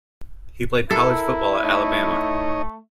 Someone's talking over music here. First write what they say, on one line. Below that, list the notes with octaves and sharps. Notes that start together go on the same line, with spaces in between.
He played college football at Alabama.
E4 A4 A#4
A3 D#4 C#5 D#5